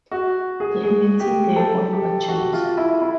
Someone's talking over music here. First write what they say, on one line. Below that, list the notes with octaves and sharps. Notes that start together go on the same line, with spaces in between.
They maintain their own budget.
F#4
G#4
G#4
G4
A4
G4
F#4
F4
E4
E4